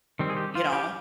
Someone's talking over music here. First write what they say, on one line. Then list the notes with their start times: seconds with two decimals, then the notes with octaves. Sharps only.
you know?
0.19 D#3 G3 C4
0.30 G#4
0.36 G4
0.55 F4
0.73 G4